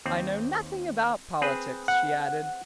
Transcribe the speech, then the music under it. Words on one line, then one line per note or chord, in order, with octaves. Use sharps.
"I know nothing about politics," she added.
D#2 C4
C4 G#4 B4
F#5